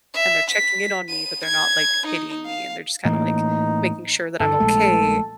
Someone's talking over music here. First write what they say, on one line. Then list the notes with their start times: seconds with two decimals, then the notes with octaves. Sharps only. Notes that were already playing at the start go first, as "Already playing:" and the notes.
and they're checking in on me, but they're not ,like, pitying me, and they're just kind of, like, making sure that I'm okay,
0.14 E5
0.50 B6
1.09 D#7
1.45 G#6
2.07 D#4
2.46 F5
3.05 A2 E3 A#3 D#4
4.40 G2 D3 A4
4.60 A#1 G#3 A3